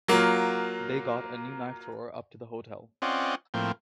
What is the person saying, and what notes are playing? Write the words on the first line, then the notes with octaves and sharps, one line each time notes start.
They got a new knife-thrower up to the hotel.
F#3 A#3 F4
C4 C#4 F4 D5 D#5 F#5
A2 F3 A#3 C4